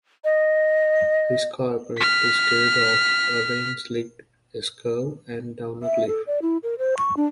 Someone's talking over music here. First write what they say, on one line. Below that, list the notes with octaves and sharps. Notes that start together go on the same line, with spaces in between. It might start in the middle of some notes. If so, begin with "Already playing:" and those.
His car apparently skidded off a rain-slicked S-curve and down a cliff.
D#5
F6 B6
E5
A4
D5
E4
A#4
C5
C#6
D4